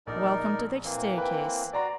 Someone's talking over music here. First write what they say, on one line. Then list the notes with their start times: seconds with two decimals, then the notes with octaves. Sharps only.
Welcome to the staircase.
0.07 A#1 D#4 A#4 D5
0.84 E3 A#3 C4
1.18 B4 G5
1.73 F#4 D5 A#5 C6